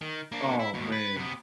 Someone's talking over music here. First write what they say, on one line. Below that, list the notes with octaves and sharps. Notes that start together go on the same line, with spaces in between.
Oh, man.
D#3
A#3 D4
E4
D#2 B2
B4
C3 B3